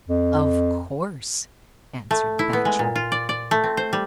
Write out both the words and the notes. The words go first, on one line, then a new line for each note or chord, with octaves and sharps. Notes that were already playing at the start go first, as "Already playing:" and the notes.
"Of course," answered the Bachelor.
F2
A3
E4
B3
G#3
A#2
F4
D5
D5
A3
C4
C5
G3